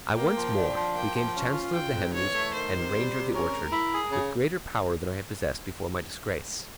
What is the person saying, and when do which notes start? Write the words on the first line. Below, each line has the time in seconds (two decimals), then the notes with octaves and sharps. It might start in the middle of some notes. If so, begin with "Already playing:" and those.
I once more became chancellor of the hen-roost and ranger of the orchard, with greater power than I had possessed before my disgrace.
0.15 A#3 G5
0.35 F3
0.56 D4
0.75 F3
0.94 A#3 G5
1.15 F3
1.34 C#4
1.54 F4
1.74 C#3 G5
1.93 F2
2.14 E3 C#5
2.34 A3
2.53 D#3 C5
2.73 C3
2.93 G3
3.12 C3
3.33 C#4 A#4
3.52 G#3
3.72 E4
3.93 G#4
4.11 C#3